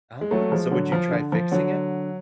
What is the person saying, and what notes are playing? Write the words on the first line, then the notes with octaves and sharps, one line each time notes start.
Oh, so would you try fixing it?
G#3
F#3 A3
F3 G#3
D3 F#3
F3
D3
F3
D3 F#3